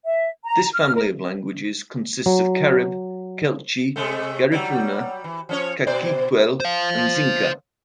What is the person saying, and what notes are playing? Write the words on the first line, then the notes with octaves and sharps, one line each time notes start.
This family of languages consists of Carib, Kekchi, Garifuna, Cakchiquel and Xinca.
E5
A#5
F6
A#4
F#3
C3 G#3 A3
F#3 G3
E3
F3 C#4 C#5
B2 C5 D5
C5 F5